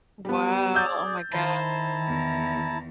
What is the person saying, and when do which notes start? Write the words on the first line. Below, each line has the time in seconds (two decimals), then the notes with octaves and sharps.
Wow, oh my gosh.
0.25 G3 B3
0.74 G#4 D5 E6 G6 A6
1.32 D#3 E4 C5 A5 A#5
2.06 E2